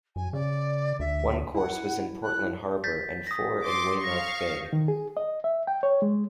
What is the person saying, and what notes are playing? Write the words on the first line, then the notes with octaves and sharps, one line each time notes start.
One course was in Portland Harbour and four in Weymouth Bay.
F#2 G#5
C#3 D5
D2 E5
E4 F#5
F#6
G6 A6 B6
D#6 A#6
C6 D6
F5 C#6 A#6
D#3
G#4
D#5
E5
G5
C#5
G#3